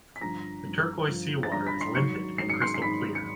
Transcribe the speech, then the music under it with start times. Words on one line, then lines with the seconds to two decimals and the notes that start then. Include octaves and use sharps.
The turquoise sea water is limpid and crystal clear.
0.16 B6
0.21 G2 D3 F3 A#5 A#6
0.65 G2 D3 F3
1.08 G2 D3 F3
1.43 A6
1.52 G2 D3 F3 A#5 A#6
1.67 B5 B6
1.80 C6 C7
1.95 G#2 D#3 F#3 C#6 C#7
2.38 G#2 D#3 F#3 C7
2.50 C#7
2.61 C6 C7
2.74 C7
2.82 G#2 D#3 F#3 B5 B6
3.15 C#7